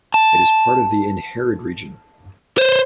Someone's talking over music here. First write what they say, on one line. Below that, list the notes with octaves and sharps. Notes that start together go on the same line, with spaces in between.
It is part of the Innherred region.
A5
C5 C#5